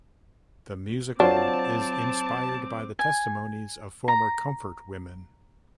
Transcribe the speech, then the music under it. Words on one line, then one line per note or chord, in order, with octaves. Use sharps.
The musical is inspired by the testimonies of former comfort women.
F#3 C4 D4 F4 C5 A5 D6
G#5
A#5